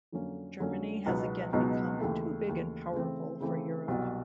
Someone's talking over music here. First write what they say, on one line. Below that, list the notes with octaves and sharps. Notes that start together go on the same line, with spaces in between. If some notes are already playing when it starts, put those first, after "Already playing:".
Germany has again become too big and powerful for Europe.
F2 D3 F#3 A#3 C#4
F2 D3 F#3 A#3 C#4
C#2 B2 F#3 B3 D#4
C#2 B2 F#3 B3 D#4
D#2 C#3 E3 A3
D#2 C#3 E3 A3
C#3 E3 A3 C4
C#3 E3 A3 C4
C2 B2 F#3